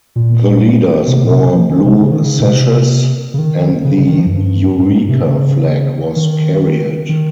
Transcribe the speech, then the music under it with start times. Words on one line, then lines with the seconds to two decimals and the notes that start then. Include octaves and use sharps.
The leaders wore blue sashes and the Eureka Flag was carried.
0.16 A#2
1.07 C3
1.25 A#2
1.31 C3
1.53 F3
1.69 D#3
1.84 C3
2.01 C#3
2.11 D#3
2.24 C#3
2.40 A#2
2.47 C3
3.34 C#3
3.39 D#3
3.85 C#3
3.97 C#3
4.08 D#3
4.19 F3
4.26 F2
4.31 G2
4.78 G#2
4.93 G#2
5.08 C3
5.24 C#3
6.16 D#3
7.09 D#3